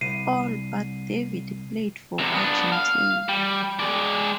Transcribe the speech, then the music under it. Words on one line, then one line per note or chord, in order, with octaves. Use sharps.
All but David played for Argentina.
C2 C7 D#7
E2 C3
B3 D4
F5
G3
G#3 D5